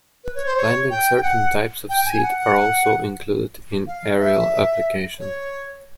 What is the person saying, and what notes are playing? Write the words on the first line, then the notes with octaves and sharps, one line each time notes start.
Planting certain types of seed are also included in aerial application.
B4
C#5
C5
C#5
G5
G5
F#5
G5
G#5
F#5
F#5
F5
E5
C#5